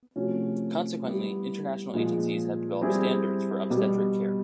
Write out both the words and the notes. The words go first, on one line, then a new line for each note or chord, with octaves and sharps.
Consequently, international agencies have developed standards for obstetric care.
C3 F3 A3 C#4 F#4
G3 B3 E4 G4
A#2 F3 G#3
G3 C4 E4 G#4
B2 G3 B3